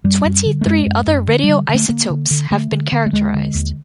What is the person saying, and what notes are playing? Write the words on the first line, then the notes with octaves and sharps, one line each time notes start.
Twenty three other radioisotopes have been characterized.
F#2 G3
F#2
D3
A3
F#2 G#3
F#2
F#2
D3
D3 G3
D3
A3
D3 A#3
D3
D3
D3 A3
D3
D3
A3
D#2 G#3
D3
D#2